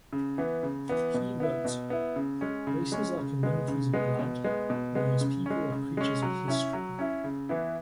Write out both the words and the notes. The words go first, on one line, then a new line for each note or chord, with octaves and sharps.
He wrote:Races are communities of blood, whereas people are creatures of history.
C#3
E3 B3
C#3
E3 B3
B2
B3 E4
B2
B3 E4
C#3
G#3 C#4
C#3
G#3 C#4
C#3
G#3 B3
C#3
G#3 B3
B2
G#3 B3
B2
G#3 B3
C#3
G#3 C#4
C#3
G#3 C#4
F#3
C#4 E4
F#3
C#4 E4
C#3
E3 B3 E4